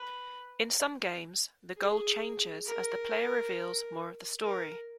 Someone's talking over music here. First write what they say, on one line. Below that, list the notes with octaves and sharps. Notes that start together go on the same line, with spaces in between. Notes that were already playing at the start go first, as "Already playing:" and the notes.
In some games, the goal changes as the player reveals more of the story.
Already playing: B4
G#4
A#4
A#4